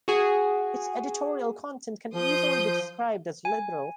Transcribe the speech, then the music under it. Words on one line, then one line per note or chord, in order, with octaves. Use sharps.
Its editorial content can easily be described as "liberal".
F#4 G#4
F3 C6 D#6 G6
G#5